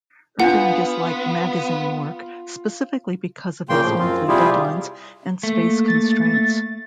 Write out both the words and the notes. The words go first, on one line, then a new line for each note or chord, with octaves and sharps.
Irving disliked magazine work, specifically because of its monthly deadlines and space constraints.
B3 D4 E4 F4 F#5
A#2 C#3 A#3 G5 C6
A2 F3
F#2 C4 F4
C3 G3 E4 F4 G4 G#4
A3 A#3
A6